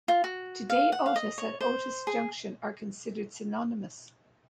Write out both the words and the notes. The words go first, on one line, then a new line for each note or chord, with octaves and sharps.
Today Otis and Otis Junction are considered synonymous.
F4
F#4
F5
F#5
F5
D#5
C#5
C5
G#4